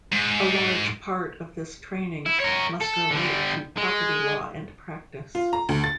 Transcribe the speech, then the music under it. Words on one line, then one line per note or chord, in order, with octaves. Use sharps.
A large part of this training must relate to property law and practice.
G#2
E4
A#4 C#5
A4
D3 G3
G#3
F4
A#5
D2
A6